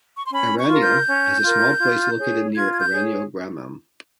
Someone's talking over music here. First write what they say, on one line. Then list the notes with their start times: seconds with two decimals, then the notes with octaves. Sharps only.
Eraniel has a small palace located near Eraniel Gramam.
0.15 C#6
0.23 C6
0.31 C#4 B5
0.57 C#6
0.68 F4 A#4
0.81 G6
1.07 C#4
1.43 F4 A#4
1.80 F4
2.18 G#4 C#5
2.55 F4 G#6
2.72 G#6
2.79 G6
2.93 G#4 C#5